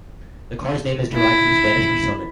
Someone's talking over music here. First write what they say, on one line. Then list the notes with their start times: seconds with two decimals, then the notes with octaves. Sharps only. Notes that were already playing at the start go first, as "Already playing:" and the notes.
The car's name is derived from Spanish for "summit".
1.14 E4